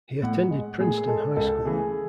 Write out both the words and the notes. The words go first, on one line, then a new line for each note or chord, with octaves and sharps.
He attended Princeton High School.
A2 F#5
G#3
A2 G#4
G#4
G#3 A4
C#2 A4
C#3 E3 A3 G#4